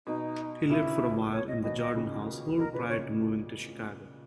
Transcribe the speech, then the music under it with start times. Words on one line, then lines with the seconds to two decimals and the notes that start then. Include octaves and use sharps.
He lived for a while in the Jordan household prior to moving to Chicago.
0.06 B2 D#4
0.69 A#2 C#3 E4
1.32 C#5
1.48 D#5
1.63 B2 D#3 D#5
1.80 D#5
1.95 A#2 C#3
2.58 B2 A#4
2.73 A#2 C#3 B4
2.89 A#2 C#3 C#5